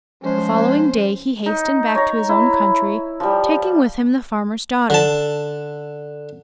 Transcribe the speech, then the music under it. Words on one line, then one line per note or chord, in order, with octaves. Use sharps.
The following day he hastened back to his own country, taking with him the farmer's daughter.
F3 G#3 C#4 C5
D#4
C#5 A#5
E4
F3 G3
D3 A5